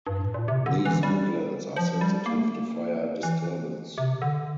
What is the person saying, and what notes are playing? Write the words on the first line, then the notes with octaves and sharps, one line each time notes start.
These woodlands are sensitive to fire disturbance.
G2
A2
A#2
C3
D3
E3
G3
F3
G3
A#3
A3
A#3
E3
C3
D3